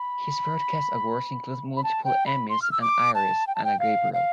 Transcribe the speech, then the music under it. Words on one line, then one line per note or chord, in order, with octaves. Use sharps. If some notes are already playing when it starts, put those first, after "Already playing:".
His broadcast awards include multiple Emmys, an Iris, and a Gabriel.
Already playing: B5
B5
A5
G5
B5
C6
F6
E6
D6
A5
G5
A5
G5
F5
F5